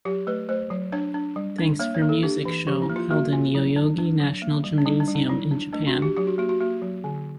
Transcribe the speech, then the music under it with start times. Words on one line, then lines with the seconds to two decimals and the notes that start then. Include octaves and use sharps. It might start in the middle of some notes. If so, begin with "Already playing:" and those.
Thanks For Music show held in Yoyogi National Gymnasium, in Japan.
0.05 F#3 G4
0.27 A3 B4
0.49 A3 C5
0.71 F#3
0.92 D4 C#5
1.14 D4
1.36 G3
1.58 D4
1.80 A#3 C#5
1.95 C#5
2.02 A#3
2.09 A4
2.23 D4 G4
2.45 E3
2.67 F3 G4
2.82 E4
2.89 A#3
2.96 F4
3.11 A#3 F#4
3.33 C#4 F4
3.55 F#3 E4
3.76 D4
3.98 D4
4.20 F#3
4.42 A#3
4.64 G3
4.78 D4
4.86 G3 D#4
5.00 D4
5.08 G3
5.15 D#4
5.29 F#3 E4
5.51 D4
5.73 A3 D4
5.87 F#4
5.95 D4
6.02 G4
6.16 F#3 G4
6.27 F#4
6.38 A#3 F#4
6.49 F#4
6.61 A#3 F#4
6.82 F#3
7.04 D3